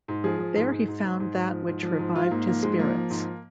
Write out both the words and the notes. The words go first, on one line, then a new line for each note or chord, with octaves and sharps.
There he found that which revived his spirits.
G#2
F3 G#4
F3
G#2
G#2
G#2
G#2
G#2
G#2
F3
G#2
F3
G#2
G#2 F4
G#2 A#3
F3 A#3
G#2 G#3
F3 A#3
F3
G#2